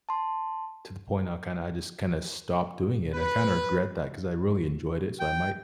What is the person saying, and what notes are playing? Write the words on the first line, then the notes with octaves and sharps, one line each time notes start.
to the point I kinda I just kinda stopped doing it, I kinda regret that 'cause I really enjoyed it, so I might
A5 C6
B4
G5